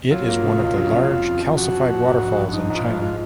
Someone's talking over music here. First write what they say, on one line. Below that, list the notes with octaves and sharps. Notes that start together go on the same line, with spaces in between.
It is one of the large calcified waterfalls in China.
F#3 F4
A#3
C#3
C#2
F#3
C#3
F1
F2
F3
F2 F#4
F3
F3
G#2
A#1
A#1
F3 D#4
G#2
F4
F3
G#3 F4